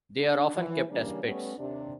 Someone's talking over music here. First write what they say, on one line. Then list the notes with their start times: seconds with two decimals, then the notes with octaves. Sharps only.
They are often kept as pets.
0.18 D4
0.54 E3
0.90 C#3 E3 G3 A#3 C#4 D4
1.24 G3 A3 B3 C#4
1.57 D#2 C3 D4